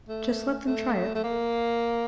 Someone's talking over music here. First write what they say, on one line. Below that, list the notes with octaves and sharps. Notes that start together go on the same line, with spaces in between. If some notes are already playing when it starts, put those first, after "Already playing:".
Just let them try it.
A3
A3
A3
A#3